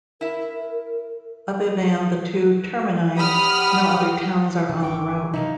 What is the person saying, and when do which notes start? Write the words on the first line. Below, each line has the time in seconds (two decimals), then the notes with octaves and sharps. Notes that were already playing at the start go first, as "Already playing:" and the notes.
Other than the two termini, no other towns are on the route.
0.21 E4 A#4 E5
3.18 G4 F#5 B5 D#6 F6
4.69 C#3 E3 A5
4.83 G#1 D4 G5 C#6 D6
5.33 C3 D#3 F#3 D#4 E4 A4 F5